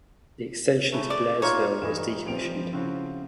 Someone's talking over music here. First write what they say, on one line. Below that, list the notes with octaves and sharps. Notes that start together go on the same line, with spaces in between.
The extension to Blairsville was decommissioned.
A3 G#4 B4
D5
D#4 F4 C#5
G2 E3 D#4 E7
F3 C4 D7 F7
C#3 C4 E4 F#4